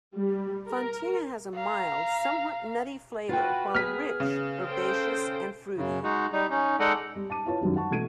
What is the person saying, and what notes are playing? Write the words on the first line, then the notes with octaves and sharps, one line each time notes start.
Fontina has a mild, somewhat nutty flavor, while rich, herbaceous and fruity.
G3
A#4
F5 A#5
F4 F#4 B4 F#5 G5
B3 G#4 F6 B6
C#3
A4 C5 G5
F#2 C#3
G#3 D#4 F#4
G3 D#4
C#4 D#4
G#3 D#4 A4 D5 D#5 F#5
G3
A5 D6 D#7
E4 F4 B4 C#5 A5
F#2 D#3 F#3 G3
F#5 A5 C#6
A1 B2 A3 G#6 D7 D#7